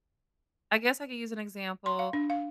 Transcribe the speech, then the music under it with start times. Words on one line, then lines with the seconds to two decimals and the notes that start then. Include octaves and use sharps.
I guess I could use an example.
1.86 C6
1.99 F5
2.13 D4
2.30 F5